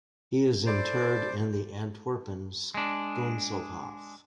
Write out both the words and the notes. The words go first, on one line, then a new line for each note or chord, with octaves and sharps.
He is interred in the Antwerpen Schoonselhof.
E4 A4 C5 D5
G#3 D4